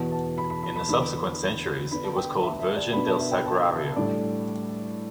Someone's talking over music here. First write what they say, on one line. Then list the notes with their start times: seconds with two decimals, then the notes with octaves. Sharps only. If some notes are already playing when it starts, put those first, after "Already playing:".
In the subsequent centuries, it was called Virgen del Sagrario.
Already playing: E2 B2 B3 A5
0.11 A5
0.38 B5
0.50 B5
0.63 B5
0.76 B5
0.89 E2 D3 B3 D4 B5
1.91 D3 B3 D4 B5
2.03 A5
2.16 G5
2.42 E5
2.60 E5
2.76 D5
2.93 B2 B3 D4 B5
3.06 A5
3.19 E5
3.32 G5
3.45 A5
3.71 E5
3.96 A2 G3 D4 D5